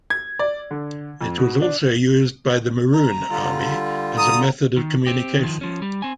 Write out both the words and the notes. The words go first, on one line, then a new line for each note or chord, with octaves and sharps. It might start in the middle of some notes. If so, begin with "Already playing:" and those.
It was also used by the Maroon army as a method of communication.
G#6
D5
D3
F2
B2
D4
A#5
D3 G3 F4
A#5 D#6
D#3
C4 G4
D#3 F3
F3 C#4
G3
C4 G#5